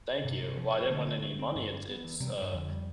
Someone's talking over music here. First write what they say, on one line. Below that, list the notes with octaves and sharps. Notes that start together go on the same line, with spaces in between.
Thank you while I didn't win any money, it's it's a
G2 C3
G2
F3
G2
D3 A3
A3
A3
C4
G2
D4
B3
E3
C3 G3
G2 G3
F2 D3
G3